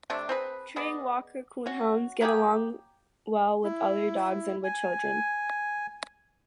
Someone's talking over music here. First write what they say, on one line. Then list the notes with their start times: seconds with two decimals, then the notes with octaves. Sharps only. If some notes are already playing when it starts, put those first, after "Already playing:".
Treeing Walker Coonhounds get along well with other dogs and with children.
0.10 C3 A3 C4 D4
0.29 C4 G#4 B4
0.76 B3 G#4 D5 D#5
1.66 C#4 F#4
2.21 F#3 A#3 G4 G#4
3.64 E4
4.64 G#5